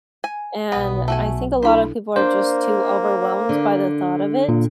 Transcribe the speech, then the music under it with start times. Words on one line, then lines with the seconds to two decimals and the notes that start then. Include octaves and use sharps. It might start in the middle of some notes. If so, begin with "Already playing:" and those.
and I think a lotta people are just too overwhelmed by the thought of it,
0.24 G#5
0.72 B1 B3 D#5 F#5
1.08 A3 F#4 G#5
1.63 D4 E4 A4 C5 B5
2.16 A#3 D4 C5
3.49 D3
4.49 A#2